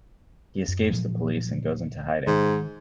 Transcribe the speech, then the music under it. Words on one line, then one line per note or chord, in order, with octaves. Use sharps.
He escapes the police and goes into hiding.
F#2
A#2 F3 F#3
G#2 D#3